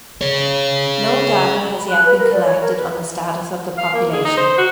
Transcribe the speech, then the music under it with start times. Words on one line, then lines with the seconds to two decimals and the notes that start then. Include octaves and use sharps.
No data has yet been collected on the status of the population.
0.21 G#4 C#5
1.76 B5
1.90 F#6
2.05 B4
2.17 A#4
2.31 D5
2.43 C#5
2.61 A#4
2.76 B4
3.77 F5
3.93 A#3
4.12 G#4
4.25 D#4
4.37 C5
4.58 F#4